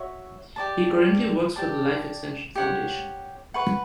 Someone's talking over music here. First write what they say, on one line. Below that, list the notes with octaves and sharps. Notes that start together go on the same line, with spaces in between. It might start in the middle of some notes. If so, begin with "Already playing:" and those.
He currently works for the Life Extension Foundation.
Already playing: F#4 C#5 E5
G4 D5 A5
G4 D5 A5
G4 C#5 F#5
B4 F#5 C#6